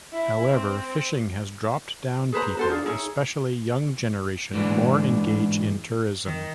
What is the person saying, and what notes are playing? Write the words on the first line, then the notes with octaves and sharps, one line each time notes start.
However fishing has dropped down people especially young generation more engage in tourism.
E4
C4
G#4 B4 C5 A#5
F#4 A4 C5
D4 D#4 F4 G#4
D#4 E4 G#4 C#5
G#2 E3 D4
D#3